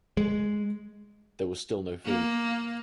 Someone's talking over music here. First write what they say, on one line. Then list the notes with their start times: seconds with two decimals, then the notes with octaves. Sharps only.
There was still no food.
0.17 G#3
2.06 A#3